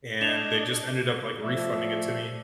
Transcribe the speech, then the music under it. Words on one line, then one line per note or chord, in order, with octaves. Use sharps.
and they just ended up, like, refunding it to me
D4 D#5 E7 F7
F3 A3 D5 E5